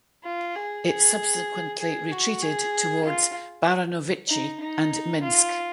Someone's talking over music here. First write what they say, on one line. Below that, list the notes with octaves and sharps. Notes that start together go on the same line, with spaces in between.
It subsequently retreated towards Baranovichi and Minsk.
F4
G#4
G#4
G#4
F#4
G#4
F4
D#4
D#4
F4